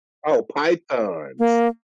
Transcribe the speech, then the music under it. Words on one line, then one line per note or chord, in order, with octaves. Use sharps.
Oh, pythons.
A#3